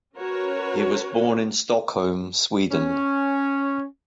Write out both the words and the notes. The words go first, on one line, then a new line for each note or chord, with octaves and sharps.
He was born in Stockholm, Sweden.
C#4 F#4 A#4 B4 C#5
C#4